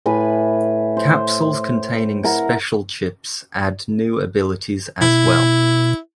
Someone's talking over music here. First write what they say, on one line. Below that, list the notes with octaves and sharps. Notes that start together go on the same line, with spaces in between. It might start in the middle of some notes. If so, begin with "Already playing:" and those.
Capsules containing special chips add new abilities as well.
A2 B4 G#5 B5
C5
E4 A#4 F#5
B2 E4